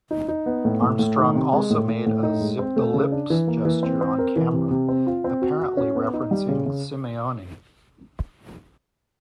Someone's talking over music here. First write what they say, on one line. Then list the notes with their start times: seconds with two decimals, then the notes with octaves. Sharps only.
Armstrong also made a "zip-the-lips" gesture on camera, apparently referencing Simeoni.
0.11 D#4
0.28 D#4
0.46 B3
0.65 A2
0.82 A2
0.99 A2
1.18 D#3
1.35 C3
1.53 G#3
1.70 A2
1.88 A2
2.06 A2
2.23 D#4
2.41 G#3
2.59 C4
2.76 A3
2.94 C#3
3.12 D4
3.30 E3
3.47 A#3
3.65 E3
3.83 C4
4.01 C4
4.18 A#4
4.36 E3
4.53 C3
4.71 C3
4.89 C4
5.07 F4
5.24 C4
5.42 F#4
5.60 F#4
5.77 C#4
5.95 B3
6.13 D#4
6.31 G3
6.49 C#3
6.66 C#3